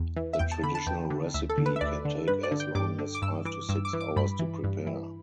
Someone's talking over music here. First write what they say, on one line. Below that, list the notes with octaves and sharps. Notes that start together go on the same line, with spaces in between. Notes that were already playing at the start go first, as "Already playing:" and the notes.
The traditional recipe can take as long as five to six hours to prepare.
Already playing: E2
E3
E5
E2 G5
A5
D3 B5
A5
E2 G5
D3
D2 E5
A4
D3
B4
E5
D2 D5
D3
G2 B4
D5
D3
G5
G2 D6
D3
D6
G2 E6
E3 D6
G2 E6
D6
E3
D6
G2 B5
E3
G2
E3